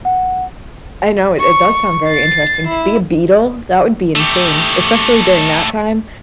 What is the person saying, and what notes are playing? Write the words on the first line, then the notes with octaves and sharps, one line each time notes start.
I know it it does sound very interesting to be a Beatle, that would be insane, especially during that time.
F#5
C#6
A6 C7
E4
A3 G4